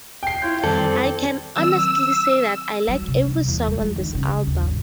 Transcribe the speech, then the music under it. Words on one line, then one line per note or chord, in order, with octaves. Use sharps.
I can honestly say that I like every song on this album.
G5 C7
E4 F4 C#5 G6
F2 D#3 G3 C4 A4 D5
D#3 F#3 C4 E6
F#3
C3
C2
E2
G#3
F3
D#3
C#3
D#2
G#1